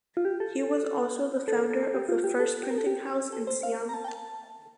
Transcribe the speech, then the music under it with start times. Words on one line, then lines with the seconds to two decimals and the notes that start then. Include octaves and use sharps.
He was also the founder of the first printing house in Siam.
0.17 F4
0.25 G4
0.40 A4
1.48 A4
1.70 A4
1.82 A4
1.94 G4
2.09 F4
2.24 G4
2.40 A4
2.63 G4
2.71 A#4
2.78 A4
2.86 G4
3.33 A4
3.47 C5
3.63 F5
3.89 A#5
3.94 A5
4.04 G5
4.08 A5